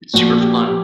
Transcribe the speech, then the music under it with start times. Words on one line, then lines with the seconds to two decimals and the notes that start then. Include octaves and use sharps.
it's super fun.
0.14 A#1 A#2 F3 F#4
0.41 G4
0.68 F3 G4